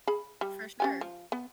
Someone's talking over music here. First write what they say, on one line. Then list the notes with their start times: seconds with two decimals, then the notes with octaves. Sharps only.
For sure.
0.07 G#4 B5
0.41 G3
0.80 C#4 G4 G#5
1.01 F3
1.32 B3